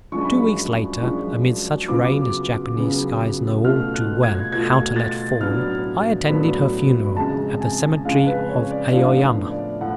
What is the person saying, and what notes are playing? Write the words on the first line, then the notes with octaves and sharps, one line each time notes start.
Two weeks later, amid such rain as Japanese skies know all too well how to let fall, I attended her funeral at the cemetery of Aoyama.
F#2 F3 G#3 D4 C#6
B5
C#6
F#2 F3 G#3 D4
C#3 F#3 B3 F4 D6
C#3 F#3 B3 F4
B2 A3 F4 F6
F#6
G#6
B2 A3 F4 G#6
A6
A2 F#3 B3 D4 F6
A2 F#3 B3 D4 B5
F2 C#3 G#3 A5
G#5
F2 C#3 G#3 F5
B4
C#5
D5
A2 F3 B3 D4 F5
D5
A2 F#5